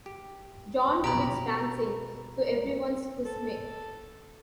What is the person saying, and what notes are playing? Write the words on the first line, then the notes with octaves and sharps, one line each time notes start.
John quits dancing, to everyone's dismay.
G4
B2 G4 A#5 B5
A4